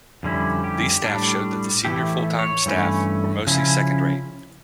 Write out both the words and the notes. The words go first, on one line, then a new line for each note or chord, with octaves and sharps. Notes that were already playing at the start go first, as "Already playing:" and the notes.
These staff showed that the senior full-time staff were mostly second-rate.
F2 D3 G3 C#4 E4
G4
A2 G3 D4
A2 E3 A3 C#4 E4 G4
C#5
G2 E3 A3 C#4
C#3 F3 C#4 E4